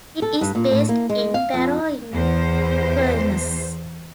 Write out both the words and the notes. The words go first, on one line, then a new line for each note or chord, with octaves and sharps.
It is based in Barrow-in-Furness.
A4
G2
A#2
A2
A#3
G#3
F5
F2
E2 C5